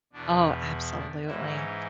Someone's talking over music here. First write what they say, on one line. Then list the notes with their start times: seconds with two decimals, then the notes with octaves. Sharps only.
Oh, absolutely,
0.13 E2 B2 D4
0.98 D4
1.25 G#2 E3 E4
1.54 C#4